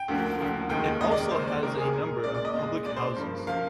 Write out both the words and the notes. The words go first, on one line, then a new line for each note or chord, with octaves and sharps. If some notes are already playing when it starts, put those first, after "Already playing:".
It also has a number of public houses.
Already playing: G5
D2 D3 F3 A#3
D2 D3 F3 A#3
D#2 D#3 G#3 G5
D#2 D#3 G#3 D#5
D5
A#4
D#2 D#3 G#3 C5
D5
D#2 D#3 G#3 A#4
G#4
A#2 G#3 A#4
A#2 G#3 D5
D5
D#5
A#2 G#3
A#2 G#3 D5
C5
G2 F3 A#3
F3 A#3 F5